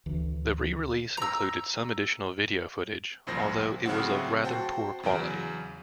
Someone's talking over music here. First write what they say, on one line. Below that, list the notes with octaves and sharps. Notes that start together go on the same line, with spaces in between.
The re-release included some additional video footage, although it was of rather poor quality.
D2 E3
A#5 E6
C2 F2 A#2 C5 A#6
A2 C#3 F#3 C4 E4 F#5
F#4 C5 G5 A5
E2 C#3 F#3 D7